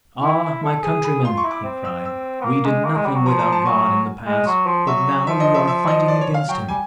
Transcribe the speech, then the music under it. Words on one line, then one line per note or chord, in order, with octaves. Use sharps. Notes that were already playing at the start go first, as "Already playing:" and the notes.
'Ah, my countrymen,' he cried, 'we did nothing without God in the past, but now you are fighting against Him.
E4
E4
A4
G#4
B5
F4 C6
C#6
E4
D6
C4
E6
E6
B3
A#3
G#3
A#3
G#3
G3
F#3
F3 A#5
A#5
A5
F#3 G#5
G#3
F#3
F3
F#3 E5
F3 E5
D#5
E5
E5
D#5
D5
C#5
F5
F#3 G5
G3 G#5